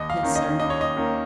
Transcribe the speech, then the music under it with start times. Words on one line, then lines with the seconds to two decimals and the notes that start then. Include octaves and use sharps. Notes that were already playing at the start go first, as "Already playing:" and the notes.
"Yes, sir."
Already playing: D#2 D#5
0.10 F5
0.23 D#3 A#3 C#4
0.36 D#5
0.60 D#2 D#5
0.70 C#5
0.81 D#5
0.97 D#3 A#3 C#4